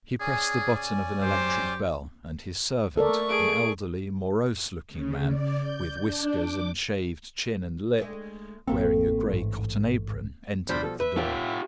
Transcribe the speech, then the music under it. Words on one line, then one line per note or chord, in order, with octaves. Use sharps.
He pressed the button of an electric bell, and his servant, an elderly, morose-looking man, with whiskers and shaved chin and lip, wearing a grey cotton apron, entered at the door.
C#4 G#4 D5 G#5
F#2 G4 C5
A3 A4 A#4 D5 C#6
G#4 D7
C#3
D5
G6
D4
D6
G#3 A3 D4
A1 A3 A#3 C4 A4
A1 G#2
B2 F3 G3 D4 C5 B5
A4
B4 E5
A2 F4 G4